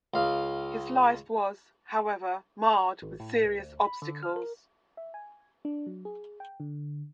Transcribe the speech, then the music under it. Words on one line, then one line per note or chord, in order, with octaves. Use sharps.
His life was, however, marred with serious obstacles.
C#2 F5
G#1
A2
C#2
D2
B5
D3
F6
A#4
E5
G#5
D4
F#3
G#4
G5
D3